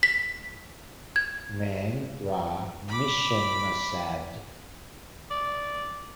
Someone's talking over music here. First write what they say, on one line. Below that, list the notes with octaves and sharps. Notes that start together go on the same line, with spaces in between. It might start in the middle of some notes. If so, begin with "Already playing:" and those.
Man ra mishenasad.
B6
G#6
B5 D6
D5